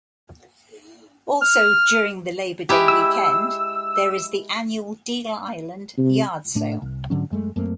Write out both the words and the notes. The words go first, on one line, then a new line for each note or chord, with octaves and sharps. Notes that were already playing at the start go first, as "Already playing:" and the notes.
Also, during the Labor Day weekend, there is the annual Deal Island yard sale.
F6
G#3 E4 G4
E6
C3
A2 A3 D4
C2
G#2 D3 F#3 C#4
F#2 G#3 A3
F#2 A3 A#3 C4